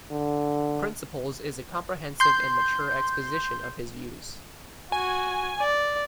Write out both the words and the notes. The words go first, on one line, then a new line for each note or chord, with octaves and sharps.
"Principles" is a comprehensive and mature exposition of his views.
D3
C6 G6
F#4 G#5
D5